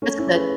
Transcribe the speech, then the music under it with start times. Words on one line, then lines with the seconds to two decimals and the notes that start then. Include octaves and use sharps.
that's good.
0.02 A3 C#4
0.18 C#4 E4
0.33 G#4 B4